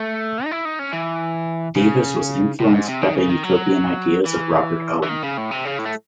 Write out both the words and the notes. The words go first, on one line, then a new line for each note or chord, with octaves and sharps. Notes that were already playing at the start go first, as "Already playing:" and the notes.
Davis was influenced by the utopian ideas of Robert Owen.
Already playing: A3
D#4
E4
D#4
C#4
E3
C#3
A2
G#2
C3
D#3
C#3
D#3
F#3
E3
E3
D#3
C#3
A2
C3
C#3
A2
A3